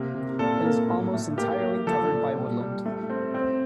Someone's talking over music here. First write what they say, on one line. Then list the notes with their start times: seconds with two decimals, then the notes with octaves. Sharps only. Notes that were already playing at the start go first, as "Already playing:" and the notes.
It is almost entirely covered by woodland.
Already playing: C3 A#3
0.14 C3
0.39 A#2 A4
0.64 A#3
0.89 A2
1.13 A3
1.38 A#3 G4
1.62 A#3
1.87 F3 A4
2.11 A#2
2.36 G3
2.60 G3
2.86 A3
3.10 C4
3.34 C4